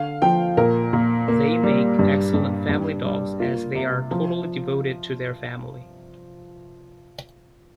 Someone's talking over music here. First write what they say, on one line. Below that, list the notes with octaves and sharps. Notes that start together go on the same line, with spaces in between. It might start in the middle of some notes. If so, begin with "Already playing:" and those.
They make excellent family dogs as they are totally devoted to their family.
Already playing: D3 F5
F3 G5
A#2 A#4
A#2
A#3
G3
G2
G2
G2
G3
A#3 F4
C3
F3